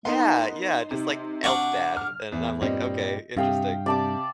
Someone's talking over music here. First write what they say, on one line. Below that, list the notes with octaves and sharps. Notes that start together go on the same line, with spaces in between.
yeah. Yeah. Just like elf dad. And I'm like, okay. Interesting.
B3 D#4 A#4 C6
C3
D4 F#4 F5 F#5 C#6
F6
E2
G2 A#2 G3 C4 D#5
G2 C3 F5 G5 D#6
C3 D5 A5 D6